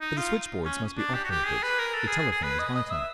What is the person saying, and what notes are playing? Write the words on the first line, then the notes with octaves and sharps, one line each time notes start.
But the switch-boards must be operated--the telephone was vital....
D#4
F4
C#4
D4
G4
F#4
G4
G#4
B4
A#4
A4
G#4
G#4
G#4
B4
D#5
D#5
E5